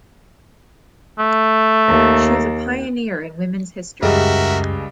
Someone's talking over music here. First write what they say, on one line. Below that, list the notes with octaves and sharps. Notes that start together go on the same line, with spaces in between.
She is a pioneer in women’s history.
A3
D#2
C#2 F#2 G3 G#3 F#4 A#4 E5